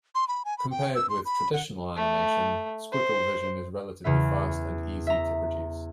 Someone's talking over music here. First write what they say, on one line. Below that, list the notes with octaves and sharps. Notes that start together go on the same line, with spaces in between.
Compared with traditional animation, Squigglevision is relatively fast and easy to produce.
C6
B5
G#5
B5
G5
E6
C6
B5
F#5
A3
C5
E2 C#3 B3 E5
E5 A#5